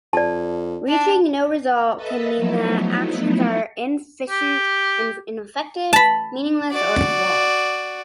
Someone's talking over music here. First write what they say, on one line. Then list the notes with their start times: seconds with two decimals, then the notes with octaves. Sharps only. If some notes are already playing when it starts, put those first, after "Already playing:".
Reaching no result can mean that actions are inefficient, ineffective, meaningless or flawed.
0.13 F2 D5 A5
0.89 D4
1.97 A4 B4 D#5 E5 A5
2.37 F3 F#3 A3 B3 D#4 E4
4.30 G4
5.93 A5 B5
6.72 F#4 D5